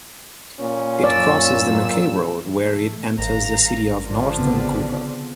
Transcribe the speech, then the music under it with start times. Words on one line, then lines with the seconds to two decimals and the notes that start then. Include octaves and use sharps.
It crosses Mackay Road where it enters the City of North Vancouver.
0.60 A#2 C#4
1.04 F#2 D5 E6
2.61 A3
3.18 G#1 F5 A#5
4.06 D3 F3 D4
4.38 C#3 B3 C4